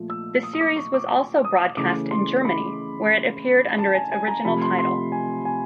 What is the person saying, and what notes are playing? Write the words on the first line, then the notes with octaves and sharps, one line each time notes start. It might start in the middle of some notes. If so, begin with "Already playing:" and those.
The series was also broadcast in Germany, where it appeared under its original title.
Already playing: A#2 F3 A3
E6
D#6
D#6
D6
C#6
D6
D#6
C#3 E3 A3 D6
C6
B5
A5
G#5
G#5
A#5
C3 F3 A3 B5
C6
C6
G#5
G#5